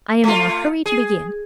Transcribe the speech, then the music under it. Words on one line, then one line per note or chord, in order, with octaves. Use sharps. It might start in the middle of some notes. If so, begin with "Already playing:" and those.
I am in a hurry to begin.
A3 F4
G#4